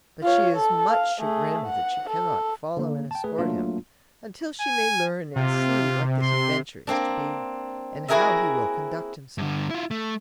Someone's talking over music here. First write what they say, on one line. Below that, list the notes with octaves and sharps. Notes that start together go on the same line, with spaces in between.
But she is much chagrined that she cannot follow and escort him, until she may learn and see what this adventure is to be, and how he will conduct himself.
F4 C#5
A4
F5
A3 G#4
F#5
A4
D3 A#3
G5 A5
A3 G#4 B4
F#3 A3 A#3 D4 F4
G#5
C3 F4
C6
A#3 C4 D4
E4 F#4 G#4 A#4 D#5 E5
G2 D3
E4 F4
A3